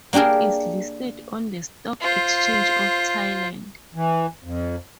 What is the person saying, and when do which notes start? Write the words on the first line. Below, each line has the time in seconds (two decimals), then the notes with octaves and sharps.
It is listed on the Stock Exchange of Thailand.
0.13 A#3 D4 G4 G#4 A#4
2.01 F4 C5
3.95 E3
4.44 F2